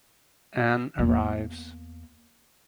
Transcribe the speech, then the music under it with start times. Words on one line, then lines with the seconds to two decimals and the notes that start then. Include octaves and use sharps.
Anne arrives.
0.99 E2 A#3